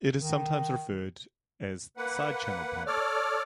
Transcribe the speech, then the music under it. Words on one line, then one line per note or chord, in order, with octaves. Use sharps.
It is sometimes referred as side channel pump.
D#3
A#3 B4 F#5
A4 C#5 D5 D6 F6